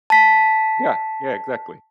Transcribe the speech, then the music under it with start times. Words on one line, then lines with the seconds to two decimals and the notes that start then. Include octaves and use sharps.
Yeah. Yeah, exactly.
0.10 A5 B6